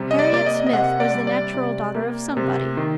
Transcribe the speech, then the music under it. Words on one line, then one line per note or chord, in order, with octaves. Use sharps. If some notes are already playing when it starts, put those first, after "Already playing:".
Harriet Smith was the natural daughter of somebody.
Already playing: C3 G3
D#5
D5
A#3 D5
D#5
D#5
C3 F#5
D5
G3
D5
C3
A#3
C3
D#3